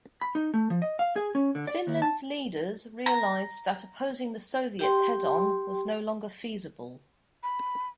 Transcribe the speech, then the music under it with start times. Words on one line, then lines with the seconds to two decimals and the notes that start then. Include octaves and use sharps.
Finland's leaders realised that opposing the Soviets head-on was no longer feasible.
0.21 B5
0.35 D#4
0.54 A3
0.70 F3
0.82 D#5
0.99 F5
1.16 G#4
1.35 C#4
1.55 D3
1.67 D5
1.87 D#2
2.02 A5
3.06 A#5
4.79 G4 G5 C6
7.43 B5